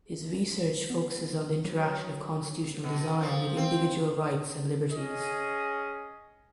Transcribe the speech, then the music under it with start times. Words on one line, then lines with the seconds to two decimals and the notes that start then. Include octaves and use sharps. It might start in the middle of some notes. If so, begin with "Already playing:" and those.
His research focuses on the interaction of constitutional design with individual rights and liberties.
0.90 B3
1.64 F#3
2.84 B2
3.21 F3
3.57 C4
4.92 C#4 G#4 D#5